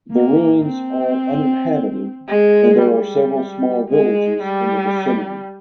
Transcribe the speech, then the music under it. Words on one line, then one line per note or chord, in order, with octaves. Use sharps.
The ruins are uninhabited and there are several small villages in the vicinity.
A#3
C4
G#3
G3
G#3
G3